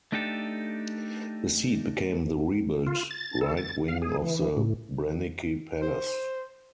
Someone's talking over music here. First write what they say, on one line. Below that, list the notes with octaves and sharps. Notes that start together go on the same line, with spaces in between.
His seat became the rebuilt right wing of the Branicki Palace.
A3 D4 D#4 G4 A4
F4
A6
A4
A6
F5
G#4
E3
A2
C5